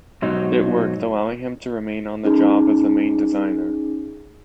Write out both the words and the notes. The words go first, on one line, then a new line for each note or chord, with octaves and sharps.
It worked, allowing him to remain on the job as the main designer.
G#2 B2 F#3 D#4
C#4 D#4 G#4